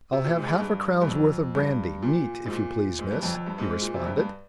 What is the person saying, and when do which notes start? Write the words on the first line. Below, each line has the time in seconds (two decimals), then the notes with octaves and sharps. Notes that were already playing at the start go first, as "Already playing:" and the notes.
"I'll have half-a-crown's worth of brandy, neat, if you please, miss," he responded.
0.13 C3
0.24 A#2
0.36 G#2
0.47 G#2
0.60 G2
1.01 G2
1.07 F2
1.55 G2
2.02 A#2
2.45 G#2
2.50 A#2
2.99 G#2
3.11 G2
3.23 F2
3.35 F2
3.46 G2
3.58 G#2
3.70 G#2
3.82 A#2
3.94 C3
4.00 F2
4.06 G2
4.18 G2